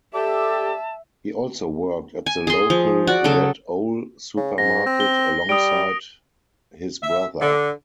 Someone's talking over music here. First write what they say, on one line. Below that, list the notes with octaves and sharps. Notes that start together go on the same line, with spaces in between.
He also worked at the local Red Owl supermarket alongside his brother.
G4 A4 D5 E5 A5
G#5
G#4 C6
F3
F#4 D5
C#3 F#3 A4
C#3
G#2 A#6
C4
G7
G3 D#6 D7
E5
D3